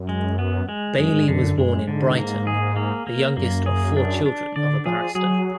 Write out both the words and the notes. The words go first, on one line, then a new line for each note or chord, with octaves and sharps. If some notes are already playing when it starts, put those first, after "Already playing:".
Bayly was born in Brighton, the youngest of four children of a barrister.
Already playing: F#2
G#3
B3
G#3
F#2 G#3
G#2
F#2 D3
F#2
F#2 G#3
G#2 D3
A#3
G#4
A#3
A#3
F#2 A#3
G#4
D4
D4
D3 D5
F3 G#4
F#3 G#4